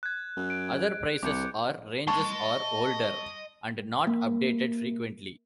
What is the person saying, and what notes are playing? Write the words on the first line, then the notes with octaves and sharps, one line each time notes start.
Other prices are ranges or older and not updated frequently.
F#6 G#6
F#2
D7
C2 D6 G6 C#7
D#5 A5 C6 C#6
A#3